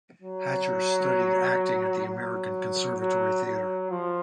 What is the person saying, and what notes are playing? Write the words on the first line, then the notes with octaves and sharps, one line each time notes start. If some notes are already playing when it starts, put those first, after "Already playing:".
Hatcher studied acting at the American Conservatory Theater.
F#3
F#3
F#3
F#3
F3